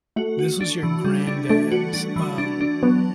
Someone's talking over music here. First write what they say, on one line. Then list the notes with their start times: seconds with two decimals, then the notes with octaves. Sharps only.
this was your granddad's, um,
0.16 A3 F#4
0.39 F#4
0.61 D4
0.83 E3
1.05 G3
1.27 D4
1.49 A3 D4
1.72 F#4
1.94 D4
2.16 E3
2.38 D4
2.61 D4
2.83 F#3 B3